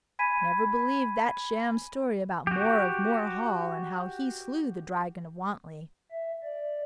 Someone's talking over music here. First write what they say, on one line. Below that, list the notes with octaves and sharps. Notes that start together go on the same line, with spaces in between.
Never believe that sham story about More of More Hall, and how he slew the Dragon of Wantley.
G#5 B5 G#6 B6 D#7
F#4 G4
E5
D5